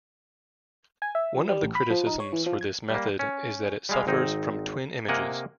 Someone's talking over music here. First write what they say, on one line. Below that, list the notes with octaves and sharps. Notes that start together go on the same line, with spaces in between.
One of the criticisms for this method is that it suffers from twin images.
G#5
E5
F3
G3
A1
B5
F3
D#4
C#5
E3
F3
G#6
G3 A#3
C#4
G3 G#3 F5
G#1 C4 D#4
C3 A#3 A#4 D#5 F#5 G#5